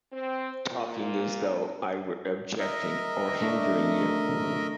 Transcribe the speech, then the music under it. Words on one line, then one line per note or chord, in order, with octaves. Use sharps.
Talking as though I were objecting or hindering you!
C4
A#2
A#4 D#5 E5
D3 A3